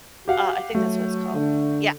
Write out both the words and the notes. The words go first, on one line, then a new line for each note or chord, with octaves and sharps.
Uh, I think that's what it's called. Yeah.
F#4 G4 F5 F#5
F#3 A3
D3